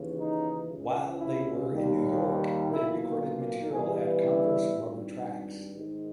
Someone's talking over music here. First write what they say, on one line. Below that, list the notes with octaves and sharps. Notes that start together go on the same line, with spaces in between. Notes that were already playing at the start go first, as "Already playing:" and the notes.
While they were in New York they recorded material at Converse Rubber Tracks.
Already playing: D#2 C#3 E3
D#4
C#2 C#3 G#3
E4
D#2 D#3 G3
B1 A#2 A#3 E4
G2 E3 G3 B3 G#4
E4
G#1 G2 G3
G#2 D#3 G#3